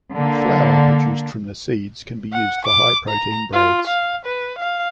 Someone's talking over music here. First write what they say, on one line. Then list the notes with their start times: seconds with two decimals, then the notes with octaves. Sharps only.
Flour produced from the seeds can be used for high-protein breads.
0.13 D3 A#3
2.32 F#5
2.65 D6
3.09 A#5
3.53 F4
3.87 F5
4.25 B4
4.58 F5